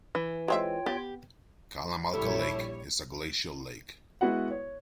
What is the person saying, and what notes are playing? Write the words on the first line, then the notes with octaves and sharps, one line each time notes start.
Kalamalka Lake is a glacial lake.
E3
G#3 C4 F4 C#5 E5 G5
B3 G4
A#1 G3 E4 A4 C#5
G#3 B3 E4 F#4 B4 F#5
C#5